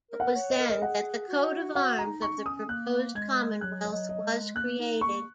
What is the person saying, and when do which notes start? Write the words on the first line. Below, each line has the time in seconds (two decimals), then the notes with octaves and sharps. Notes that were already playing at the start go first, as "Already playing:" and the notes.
It was then that the coat of arms of the proposed Commonwealth was created.
0.11 A#4
0.20 F#5
0.35 C#5
0.50 D#5
0.59 A#4
0.70 D#5
0.81 G#4 F#5
1.28 F#4
1.75 F#4 F#5
1.99 A#5
2.07 D#4
2.22 C#6
2.38 C#4
2.46 D#6
2.68 A#3 F#6
3.15 G#3 G#6
3.61 F#3 F#6
3.85 D#5
3.92 F#3
4.09 D#5
4.24 G#3
4.55 A#3 F#6
4.79 D#4
5.01 A#3 C#6